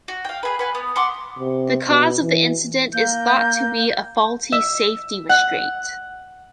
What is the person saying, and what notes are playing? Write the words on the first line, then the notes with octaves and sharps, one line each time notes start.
The cause of the incident is thought to be a faulty safety restraint.
F#4
F5 G5
G#4 B4
B4 F#5 G#5
B3
F#5 C6 D6
C3
B2
E3
A#3 G6
E5
F#5